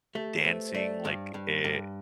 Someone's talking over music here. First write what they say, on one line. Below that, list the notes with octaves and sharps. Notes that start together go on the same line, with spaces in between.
dancing, like, e
A3 G4
B4
A3 C5
C5
A3 D5
G2
G2
G2